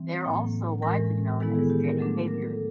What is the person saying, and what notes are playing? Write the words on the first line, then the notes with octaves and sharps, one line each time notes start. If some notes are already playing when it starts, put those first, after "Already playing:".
They are also widely known as "Jenny Haviers".
Already playing: E3 G3 C4
A2 F#3 A#3
A2 E3 G#3 C#4 A#4
D#3 G#3 B3 E4 A4
G#4
G4
A#4
F#3 A3 D4
A#4
A4